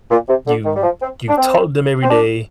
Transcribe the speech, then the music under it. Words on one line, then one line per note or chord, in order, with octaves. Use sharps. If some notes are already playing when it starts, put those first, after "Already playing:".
"You You talk to them every day,
A#2
C3
D3
D#3
G3
F3
C4
D4
C4
C4
D4